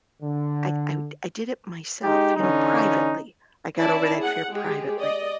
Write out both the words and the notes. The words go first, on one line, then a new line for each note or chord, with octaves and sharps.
I I I did it myself, you know, privately, I got over that fear privately.
D3
G#3 D#4 G4
D3 E3 C#4 D#4
C#4 E4 D5 A5
G#4 F#5
G#3 G4 G#4
D5 D#5